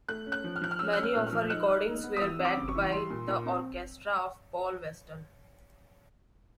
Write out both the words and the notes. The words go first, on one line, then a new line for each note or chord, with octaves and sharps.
Many of her recordings were backed by the orchestra of Paul Weston.
A3 F#6
C#4
F#6
F3
F6
F3 F#6
F6
C#4 E6
C#4 F#6
F6
A#2
F6
F3
D#4 F#6
D#4
D#4
B3
D#6
E3 E6
C4
D6
C#3
C#6
E3
G3 C6
A#2
A#2
C4